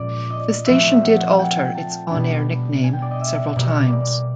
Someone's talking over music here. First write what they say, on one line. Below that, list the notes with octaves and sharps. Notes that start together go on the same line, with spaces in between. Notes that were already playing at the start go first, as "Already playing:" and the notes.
The station did alter its on-air nickname several times.
Already playing: A#2 F3 G#3 C#4 D5
D#5
F3 A3 C4 E5
F#5
F#5
G5
A5
B2 G3 B3 D4
G#5
G5
D5
D#5
E5
B2 G3 A#3 D5
D5